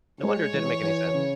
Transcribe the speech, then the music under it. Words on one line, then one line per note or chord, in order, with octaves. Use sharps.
No wonder it didn't make any sense."
G#3 C#5
E3
E3
C#3